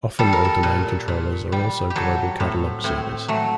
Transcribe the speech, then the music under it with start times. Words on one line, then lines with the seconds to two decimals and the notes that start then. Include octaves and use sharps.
Often all domain controllers are also global catalog servers.
0.19 G3 A4
0.33 A#4
0.45 A4
0.63 A#2
1.08 A#2
1.52 G3
1.90 G4
1.96 F#3 A4
2.40 A2 C4
2.84 A2 C4
3.28 F#3 A3